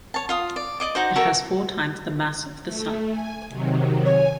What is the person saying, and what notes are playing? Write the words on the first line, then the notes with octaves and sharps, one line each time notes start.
It has four times the mass of the Sun.
C#5 A5
F4 F5 D#6
D5
D5 D#5 D6
D#4 F#4 C5
F#4 A4 A#4 C#5
A3
G#5
C3 D#3 F#3
C#5 G#5